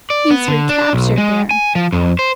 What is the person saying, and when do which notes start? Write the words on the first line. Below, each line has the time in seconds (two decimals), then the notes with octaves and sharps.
He's recaptured, there!
0.10 D5
0.31 B3
0.48 D3
0.69 D4
0.93 B1
1.18 G#3
1.51 G#5
1.75 F3
1.93 F2
2.19 C5